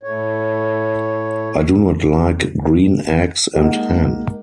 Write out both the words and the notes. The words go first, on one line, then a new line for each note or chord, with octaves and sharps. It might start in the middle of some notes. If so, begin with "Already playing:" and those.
I do not like green eggs and ham.
A2 C#5
G#3 A#3 D#4 F#5